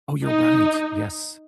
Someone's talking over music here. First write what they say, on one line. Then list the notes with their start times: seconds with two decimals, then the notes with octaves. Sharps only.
Oh, you're right, yes,
0.24 D#4